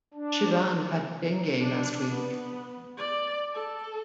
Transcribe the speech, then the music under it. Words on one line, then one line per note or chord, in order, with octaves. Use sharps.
Shivam had dengue last week.
D4
D4
B3
D5
A4